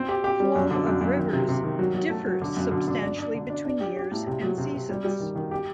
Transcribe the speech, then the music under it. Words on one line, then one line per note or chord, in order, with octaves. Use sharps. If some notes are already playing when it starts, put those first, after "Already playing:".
Flow of rivers differs substantially between years and seasons.
Already playing: C4
G4
G4
G3
F#2
D3
F#2
F#2
D#3
C3
C3
D#3
F#3
F#3
A3
F#3
D3
F#2
D3
D3
D4
D4
D3
D4
D4
G4
G4
A2
C3
F#3
C3
C3
G3
G3
D#3
D#3
G4